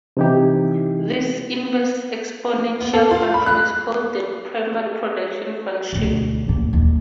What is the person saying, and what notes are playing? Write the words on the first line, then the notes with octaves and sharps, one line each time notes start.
This inverse exponential function is called the primary production function.
C3 E3 D#4 E4 G4
B3
A4
F4
B5
F#6
D2 B2
D#1 A#2
D#2 A#2